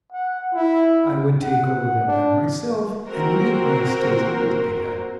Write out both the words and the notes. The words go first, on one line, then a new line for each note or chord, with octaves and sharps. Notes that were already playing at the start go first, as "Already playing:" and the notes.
I would take over their land myself, and make my estate a bit bigger.
F#5
E4
F#5
D4
A#3 C4 F#4 A#4 C5